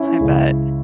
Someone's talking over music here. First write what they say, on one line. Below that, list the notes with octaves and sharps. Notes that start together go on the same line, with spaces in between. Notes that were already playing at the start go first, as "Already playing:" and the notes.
I bet.
Already playing: C#4 E4
C#2 C#3 E3